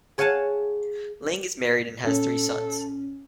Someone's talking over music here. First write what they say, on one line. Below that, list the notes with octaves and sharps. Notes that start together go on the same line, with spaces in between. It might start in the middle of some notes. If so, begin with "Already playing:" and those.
Ling is married and has three sons.
G#4 C#5 F5 F#5 G#5 A5
A#2 C#4 A4